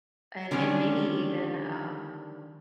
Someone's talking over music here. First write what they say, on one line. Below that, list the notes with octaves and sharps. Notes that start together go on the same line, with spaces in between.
And and maybe even, um,
D3 D#3 G3 C#4 D4